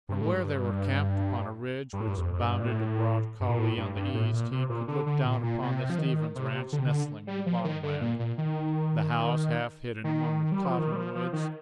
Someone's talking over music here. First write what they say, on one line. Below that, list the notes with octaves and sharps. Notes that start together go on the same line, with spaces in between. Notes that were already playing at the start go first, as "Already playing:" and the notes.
From where they were camped upon a ridge which bounded a broad coulee on the east, he could look down upon the Stevens ranch nestling in the bottomland, the house half hidden among the cottonwoods.
G2
A2
G2
G2
A2
G2
F2
F2
G2
A#2
A2
G2
A#2
A2
G2
G2
A2
A#2
C3
A#2
D3
D3
A#2
A#2
C3
F3
D#3
C3
D3
C3
D3
G3
F3
D#3
D3
A#2
A#2
D#3
D#3
G3
F3
D#3
G3
F3
F3
D#3